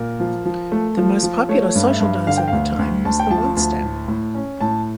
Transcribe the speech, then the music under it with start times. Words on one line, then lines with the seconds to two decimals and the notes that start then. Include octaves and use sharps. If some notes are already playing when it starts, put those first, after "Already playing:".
The most popular social dance of the time was the One-Step.
Already playing: A#2 A#4
0.20 F3
0.45 F3
0.72 A3
0.97 F3
1.23 F3
1.49 A3 C#5
1.75 G2
1.88 E5
2.00 G2
2.27 D3 F5
2.37 G5
2.48 D2 F5
2.79 D2
3.05 D2 A5
3.20 G5
3.30 F3 A5
3.57 D2 A5
3.83 A2
4.08 A2
4.34 C#4
4.61 A2 A5